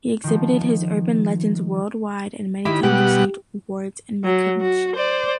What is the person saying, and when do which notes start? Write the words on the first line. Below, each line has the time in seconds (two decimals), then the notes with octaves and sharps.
He exhibited his urban legends worldwide and many times received awards and recognition.
0.24 D#3 F3
2.65 D#3 E4 G4 B5
2.83 B2 G3 G4 F#5
4.24 F#3
4.61 F#4
4.95 C5 D5